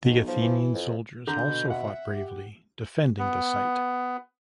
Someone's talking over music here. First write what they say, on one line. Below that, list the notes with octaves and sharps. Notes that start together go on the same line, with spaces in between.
The Athenian soldiers also fought bravely, defending the site.
B1 B2
F3
E3
F2
D3 A#5 G6
B2
E5 F#5
G4
B3